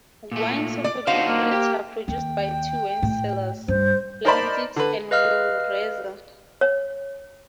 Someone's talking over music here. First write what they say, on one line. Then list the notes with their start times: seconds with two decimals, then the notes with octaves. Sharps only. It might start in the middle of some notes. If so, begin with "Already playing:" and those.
Wines of a good quality are produced by two wine cellars, Landzicht and Wilreza.
0.31 A#2 A3
0.84 D5
1.07 D4 D#4 F#4 C5 F5
1.27 A#3
1.51 G4
2.08 D#2 G5
3.02 A2
3.68 G2 C5
4.25 D#4 A#4 C5 D5 A5 B5
4.76 D3 B4
5.11 B4 D#5 F5 F6 F#6
6.61 C#5